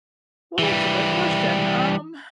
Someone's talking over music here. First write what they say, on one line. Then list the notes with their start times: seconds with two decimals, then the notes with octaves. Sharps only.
Well, that's a good question, um
0.59 E3 G3